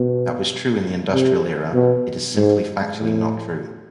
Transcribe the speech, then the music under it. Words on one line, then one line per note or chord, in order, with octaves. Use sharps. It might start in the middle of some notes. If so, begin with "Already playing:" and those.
That was true in the industrial era; it is simply factually not true.
Already playing: B2
C3
B2
G#2
A2